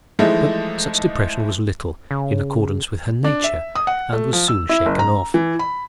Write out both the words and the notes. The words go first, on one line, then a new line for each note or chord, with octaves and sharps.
But such depression was little in accordance with her nature, and was soon shaken off.
E3 F3 G#3 A3 D#4 E4
C#3
D4
E5
D#6
F#5
A3
F3
E6
E4
F#1
A#5
E3
B5